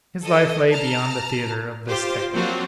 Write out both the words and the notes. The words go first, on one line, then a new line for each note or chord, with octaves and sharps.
His life lay beyond the theatre of this tale.
A4 D#5
A5 A#5 F6
F4 G4 C5 C6 D6
F#3 A#3 C4 D4 F4 F#4